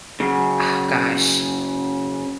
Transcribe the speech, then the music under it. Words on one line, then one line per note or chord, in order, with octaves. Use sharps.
Oh gosh.
F#2 C#3